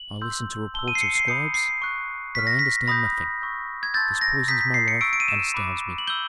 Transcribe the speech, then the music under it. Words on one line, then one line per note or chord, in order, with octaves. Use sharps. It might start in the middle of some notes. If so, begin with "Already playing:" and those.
I listen to reports of scribes, but I understand nothing; this poisons my life and astounds me.
Already playing: F#7
C6 E6 G6
A5 C6 E6 G7
D#7
C7
C#7
C7
B5 D#6 G6 C#7
C7
C#6 F#6
C#6 F6 B6
A#6
B6
B5 D#6 G6 A#6
C#6 E6 G6
G#6
A5 C6 E6 G6 A6
A#6
A#5 D#6 G6 B6
B6
C7
C#7
C#6 E6 G6 D7
D7
D#7
E7
B5 D6 F#6
F#7
B5 E6 G6 G7